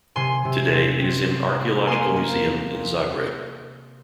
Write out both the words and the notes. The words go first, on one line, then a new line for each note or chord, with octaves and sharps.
Today it is in Archaeological Museum in Zagreb.
C3 G#5 C6
C3
C4
C4
C4
C4
A#3 G#5 C6
A#3